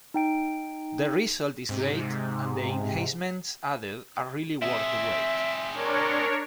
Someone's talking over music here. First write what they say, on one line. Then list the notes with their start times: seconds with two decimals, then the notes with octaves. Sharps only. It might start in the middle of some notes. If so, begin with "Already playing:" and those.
The result is great and the enhancements added are really worth the wait.
0.14 D#4 G5 D7
1.69 G#2 C3
4.62 C4 G#4 E5
5.73 D4 A#4 C#5